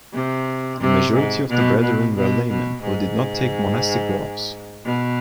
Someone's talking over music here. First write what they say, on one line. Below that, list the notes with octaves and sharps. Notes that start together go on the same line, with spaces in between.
The majority of the Brethren were laymen who did not take monastic vows.
C3
C3
G#2
B2
B2
B2
B2
G#2
B2